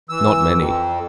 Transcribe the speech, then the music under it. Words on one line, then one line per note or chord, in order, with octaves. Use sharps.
Not many!
E3 E6
F2